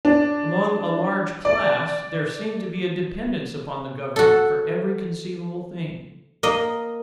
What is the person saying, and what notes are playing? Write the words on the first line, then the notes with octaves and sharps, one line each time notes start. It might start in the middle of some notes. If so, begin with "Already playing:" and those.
Among a large class there seemed to be a dependence upon the Government for every conceivable thing.
D4
D5
F#4 A4
A#3 D#5